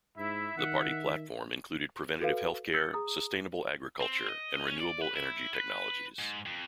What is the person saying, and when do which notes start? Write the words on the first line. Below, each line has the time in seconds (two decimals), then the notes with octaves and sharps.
The party platform included preventive health care, sustainable agriculture and renewable energy technologies.
0.18 G#2 E4 E5
0.58 D#3 F#5
2.21 F#4 A4 B4 F5
2.74 E6 G6 A6 C#7
2.93 G#4 A#5 D#6
4.01 C4
4.29 D#5
4.68 C#4
4.80 D5
5.02 B4
5.16 E4
5.55 B4
6.19 G#2
6.46 F2